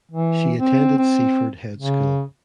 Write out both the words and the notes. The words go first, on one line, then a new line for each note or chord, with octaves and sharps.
She attended Seaford Head School.
E3
C4
C4
C#3